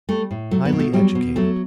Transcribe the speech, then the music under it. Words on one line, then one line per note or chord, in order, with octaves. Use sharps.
Highly educated.
G3 A3
A2
F#3 A3
B3
B2
A3
F#3 G3
B2
F#3 A3